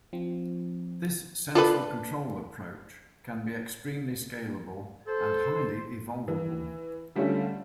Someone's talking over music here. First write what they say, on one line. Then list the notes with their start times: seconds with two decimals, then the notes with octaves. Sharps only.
This central control approach can be extremely scalable and highly evolvable.
0.13 F3 C4
1.55 D4 F4 A4 B4
5.07 A4 C5
6.28 E3
7.16 D3 G3 A3 C#4 F4